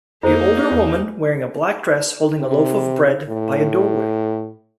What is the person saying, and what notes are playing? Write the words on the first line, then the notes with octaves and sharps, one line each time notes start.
A older woman wearing a black dress holding a loaf of bread by a doorway.
F2 A#3 D#4 E4 G#4 C5
E2
C3
A2